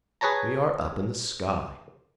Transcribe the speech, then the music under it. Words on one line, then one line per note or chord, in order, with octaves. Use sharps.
We are up in the sky.
G#4 B4 C#5 A5 A#5